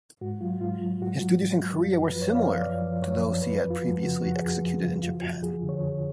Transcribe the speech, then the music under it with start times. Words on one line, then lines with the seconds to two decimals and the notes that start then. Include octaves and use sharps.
His duties in Korea were similar to those he had previously executed in Japan.
0.21 G#2 F#4
0.41 F#3 F4
0.61 G#2 F4
0.81 F#3
1.01 G#2 F#4
1.22 F#3
1.42 G#2
1.61 F#3
1.81 F#2 F4
1.96 F#4
2.01 F3
2.09 B4
2.22 F#2 C#5
2.31 F5
2.35 D5
2.42 F3
2.49 F5
2.62 F#2 D5
2.81 F3
3.02 F#2 C#5
3.22 F3
3.42 F2 B4
3.63 F2
3.70 F4
3.82 F3 F#4
4.02 C#3 F#4
4.22 F2 F#4
4.36 G#4
4.42 F2
4.49 F#4
4.62 F3
4.73 F#4
4.82 C#3 F4
4.94 F#4
5.02 F2 F4
5.23 F2 F#4
5.43 F3 G#4
5.63 D3
5.69 C#5
5.83 F2